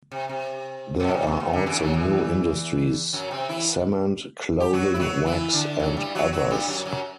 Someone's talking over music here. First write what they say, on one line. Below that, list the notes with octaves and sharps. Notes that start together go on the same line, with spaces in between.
There are also new industries: cement, clothing, wax and others.
C3
C3
B2
C3
B2
C3
D3
E2 E3
F#2 F#3
E2 E3
F#2 F#3
C3 C4
E3 E4
G4
F#3 F#4
E4
F#3 F#4
E3 E4
D3 D4
F#2 F#3
G2 G3
F#3 F#4
F#3 F#4
G2 G3
F#2 F#3
F#2 F#3